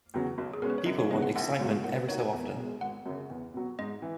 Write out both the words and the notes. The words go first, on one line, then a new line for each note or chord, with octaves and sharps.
People want excitement every so often.
E2 C#3 F#3
B1
G#4
B2 G#3 C#4 A#4
B4
C#5
F#2 D#5
C#5
C#3 G#3 B3 D#5
F#5
A#1 F#5
G#2 F#3 B3
A#2 F#5
B4
A#3 D#4 F#4 C#5
G#5
E2
B2 G#3
G#1 F#5
F#2 C#3
E2
B2 F#3
G#2 D#5
E3